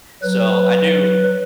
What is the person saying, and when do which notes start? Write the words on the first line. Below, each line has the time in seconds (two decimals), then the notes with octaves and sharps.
So, I do
0.23 F#3 B4